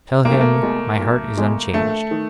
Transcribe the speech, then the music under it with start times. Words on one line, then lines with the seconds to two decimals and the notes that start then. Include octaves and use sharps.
Tell him, my heart is unchanged.
0.25 B1 A#3
0.33 A3
0.41 A#3
0.62 B2 G#3
0.99 B1
1.37 B2 G#3
1.74 A#1 A3
2.11 D#3